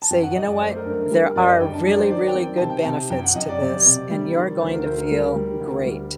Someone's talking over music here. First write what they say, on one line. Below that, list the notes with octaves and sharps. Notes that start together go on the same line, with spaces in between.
say, "You know what? There are really, really good benefits to this, and you're going to feel great.
A5
F#2 G5
F#5
F#2 D#5
D5
A3 C5
A#4
G2
A#4
G3
A#4
F#2 D5
D#5
G2 G5
A5
F#3 D5
C5
D#3 D5
G5
C4
C3 A5
G5
C3 A5
F#2 G5
F#5
F#2 D#5
D5
C3
C3
G3
D#3
D2 C5
A#4
D2 C5
A#4
G3
G3
D2
G3